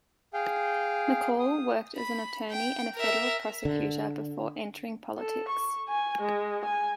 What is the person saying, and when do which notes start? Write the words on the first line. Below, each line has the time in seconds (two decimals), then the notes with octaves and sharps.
McCaul worked as an attorney and a federal prosecutor before entering politics.
0.34 G#4 F5 G5
1.39 D#6
1.96 B5
2.51 G5
2.96 A#4 E5
3.65 D3
5.19 A4
5.49 C#6
5.89 G#5
6.21 G#3
6.65 G#5